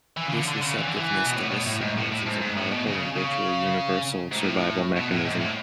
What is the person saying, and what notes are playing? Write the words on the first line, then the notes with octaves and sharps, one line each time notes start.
This receptiveness to risk signals is a powerful and virtually universal survival mechanism.
E3
C#3
D3
D3
C#3
E3
D3
E3
B2
A2
B2
A2
G#2
A2
A2
G#2
G#2
A2
B2
C#3
C#3
G#2
A2
B2
A2
G#2
A2